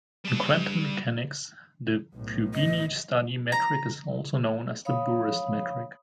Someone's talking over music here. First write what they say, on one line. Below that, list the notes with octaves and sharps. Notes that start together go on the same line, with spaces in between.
In quantum mechanics, the Fubini-Study metric is also known as the Bures metric.
G3 A5
B1 A2
D#5
A#5
C#5 F5 B5 D#6